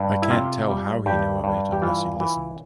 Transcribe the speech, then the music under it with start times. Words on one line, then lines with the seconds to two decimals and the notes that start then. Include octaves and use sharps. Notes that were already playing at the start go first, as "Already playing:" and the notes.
I can’t tell how he knew of it, unless he listened.
Already playing: G2
0.22 E4
0.30 C3 F4
0.69 G3
1.06 G2 G4
1.44 G2
1.73 G4
1.82 E3 F4
2.20 E3